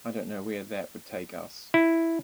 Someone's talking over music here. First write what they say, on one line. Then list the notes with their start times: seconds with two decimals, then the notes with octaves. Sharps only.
I don't know where that would take us.
1.74 E4